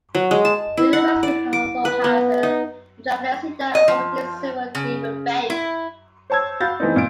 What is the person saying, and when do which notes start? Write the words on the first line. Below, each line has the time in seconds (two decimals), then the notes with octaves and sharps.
The university also has a Chaplaincy that accommodates several different faiths.
0.15 F#3
0.31 G#3
0.45 A5
0.77 E4
0.93 F#5
1.23 D5
1.53 D6
1.85 B4
2.04 B3
2.43 D#4
3.75 D#5
3.88 F3
4.75 C#3
5.50 E4
6.30 C5 C#5 A5 E6 G#6
6.60 F#4 F5 B5 G6 A6
6.80 E3 A3 B3 C4 D#4
6.96 A#2 D7